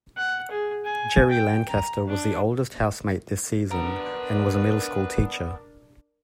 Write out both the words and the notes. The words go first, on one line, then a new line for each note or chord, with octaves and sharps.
Gerry Lancaster was the oldest housemate this season, and was a middle school teacher.
F#5
G#4
G#5
G5
A#5
D4
B3 D4 A#4 B4 A#5